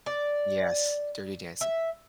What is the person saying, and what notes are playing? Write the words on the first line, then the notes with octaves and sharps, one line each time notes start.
Yes. Dirty Dancing.
D5
E5